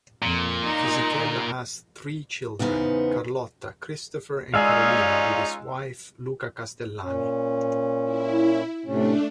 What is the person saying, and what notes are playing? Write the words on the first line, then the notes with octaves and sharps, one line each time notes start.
Fisichella has three children, Carlotta, Christopher and Carolina, with his wife Luna Castellani.
F2 A#2
D#4
E2 C#3 B3 D#4 C5
G#3 C#4 D#4 F4 G#4 D5 F5 E6
A#2 C#4
E4
A2 C3 A3 C#4 D4